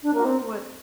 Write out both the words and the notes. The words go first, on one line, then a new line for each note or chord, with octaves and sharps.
Oh, what
D4
A#3
C4